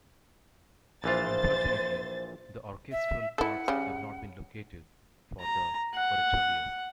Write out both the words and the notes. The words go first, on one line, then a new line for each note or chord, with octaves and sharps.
Unfortunately, the orchestral parts have not been located for the oratorio.
A#1 E3 F4 C5 A6
E5
E4 A4 F#5
C#3 G3
A#5
F#5